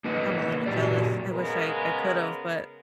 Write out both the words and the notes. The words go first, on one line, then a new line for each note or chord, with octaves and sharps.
I'm a little jealous, I wish I I could've, but,
A#3 D#4 B4 D#5 F#5
A#2 F#3 G4 D5
C#3 G#3 B3 A#4